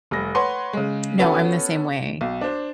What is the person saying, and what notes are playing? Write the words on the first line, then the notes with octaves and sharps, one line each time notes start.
No, I'm the same way.
F1 G3 A#6
B4 C#5 F#5 C6
C#3 G#3
B3 C#4 F#4 A4 B4
B1
D4 C5